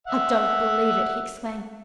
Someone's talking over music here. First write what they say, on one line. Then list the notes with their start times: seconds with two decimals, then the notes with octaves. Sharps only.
'I don't believe it,' he exclaimed.
0.07 E5 F#5